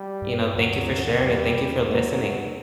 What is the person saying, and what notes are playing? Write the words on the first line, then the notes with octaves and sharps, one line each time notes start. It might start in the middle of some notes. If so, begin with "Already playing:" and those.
you know, thank you for sharing it. Thank you for listening
Already playing: G3
G2
D2 F#3
D3
E2 G3
E2
F#3 A#3